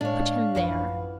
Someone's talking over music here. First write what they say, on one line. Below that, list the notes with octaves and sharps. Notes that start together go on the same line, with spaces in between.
"Put him there."
A2 G#3 D4 C#5 F5
A1 F#2 E3 F3 F#4 B4